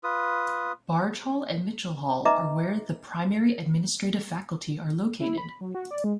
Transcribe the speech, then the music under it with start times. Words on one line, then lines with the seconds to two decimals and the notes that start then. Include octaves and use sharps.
Barge Hall and Mitchell Hall are where the primary administrative faculty are located.
0.04 F4 B4 D#6
2.25 D#4 B4 D#5 E5 A#5 D6
5.20 E4
5.38 B5
5.61 F#3
5.75 F#4
5.91 D5
6.04 G#3